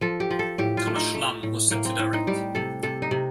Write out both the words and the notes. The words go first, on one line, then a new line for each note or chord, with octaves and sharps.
Thomas Schlamme was set to direct.
F3 A4
G4
F3
A4
A2 G4
F4
A3
D#4
A3
A2
A2 A#3
C4
A2
D#4
G3 G4
C3 A4
C3 A4
D#4
C3